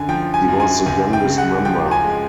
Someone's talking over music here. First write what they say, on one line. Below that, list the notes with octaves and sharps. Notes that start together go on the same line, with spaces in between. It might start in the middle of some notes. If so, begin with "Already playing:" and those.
He was the youngest member.
Already playing: F#2 D3 G#5
F3 G5
G#5
F#2
G#5
C#2 G#5
G5
C#3
F#5
F3 G5
G#5
G#3